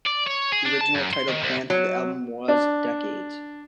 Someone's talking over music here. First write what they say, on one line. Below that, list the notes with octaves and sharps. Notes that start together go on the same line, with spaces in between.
The original title planned for the album was "Decades".
D5
C#5
G#4
D4
A5
F#2
C6
D#3
C2
F#3
D4